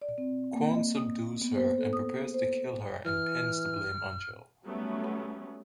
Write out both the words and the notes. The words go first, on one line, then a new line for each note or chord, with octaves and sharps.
Kwon subdues her and prepares to kill her and pins the blame on Jo.
D5
C4
A#3
D#5
D#6
B3
C5
A4
D#6
C5
E3 F6
F#3 G3 A3 B3 C#4